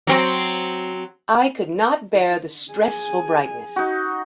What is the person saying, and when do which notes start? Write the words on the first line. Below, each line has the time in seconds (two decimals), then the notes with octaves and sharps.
I could not bear the stressful brightness.
0.07 F#3 C4
2.72 G#4 G#5
3.76 D#4 F#4